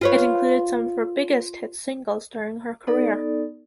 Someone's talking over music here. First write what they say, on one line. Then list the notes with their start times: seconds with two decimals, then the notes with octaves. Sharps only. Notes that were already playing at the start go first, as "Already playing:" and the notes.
It included some of her biggest hit singles during her career.
0.01 F4 B4 C#5
2.87 B3 D#4 A4 D5